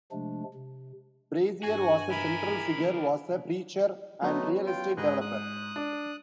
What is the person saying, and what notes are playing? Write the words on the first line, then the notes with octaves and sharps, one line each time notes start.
Brazier was a central figure was a preacher and real estate developer.
C3 F3 G#3 A3 D4
C3
G2 F#4 G#5
E4 A#4 B5
F#3 A3 B3 C#4 D#4
F4 G5
G#2 G#4 B4 D#5
D#6 F#6
D4